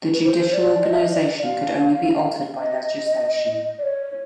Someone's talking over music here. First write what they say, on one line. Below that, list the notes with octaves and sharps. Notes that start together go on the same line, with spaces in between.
The judicial organization could only be altered by legislation.
B4
C5
D5
D#5
E5
D#5
D5
F5
D#5
D5
C#5
C#5